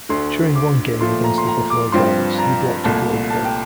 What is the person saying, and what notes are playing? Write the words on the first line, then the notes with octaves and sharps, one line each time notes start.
During one game against the Buffalo Bills, he blocked a field goal.
D2 D3 A3 C6
D6
A#2 F3 A3 C6
A#5
C6
A#5
D6
G2 F3 C4 C6
A#5
C2 A#2 A3 A5
A5
G5